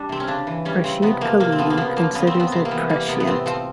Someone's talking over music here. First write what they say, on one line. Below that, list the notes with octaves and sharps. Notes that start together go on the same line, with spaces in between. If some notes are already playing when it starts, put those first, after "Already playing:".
Rashid Khalidi considers it "prescient".
Already playing: G3 D4
C3 C4
C#4
C#3 D4
E3
G3 C#4
C#3 C4
C3 B3
F3 A#3
C3 A#3
C4
F3 B3
A#3
C#3 B3
F3 A#3
C#3 B3
C4
F3
B3
C3 C4
A#3
E3 B3
G3 A#3
C3 B3
B3
A2 C4
F3 C4